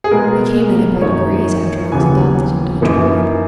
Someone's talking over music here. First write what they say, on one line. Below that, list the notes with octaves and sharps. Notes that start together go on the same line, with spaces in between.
I came at it by degrees, after I was adopted into the tribe.
G#4
B2 G#3 B3 A#4
F#2 D#3 A#3 D#4 C#5
D#2 C#3 E3 B3 G#5
F#2 E3 A#3 D#4